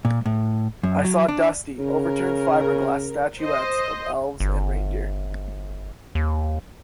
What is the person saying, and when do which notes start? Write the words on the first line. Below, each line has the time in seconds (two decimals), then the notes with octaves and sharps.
I saw dusty, overturned fiberglass statuettes of elves and reindeer.
0.05 A#2
0.26 A2
0.83 F#2
1.04 F#3
1.28 D4
1.79 C#3 A#4
3.41 C5 D#5
4.40 G1
6.15 D#2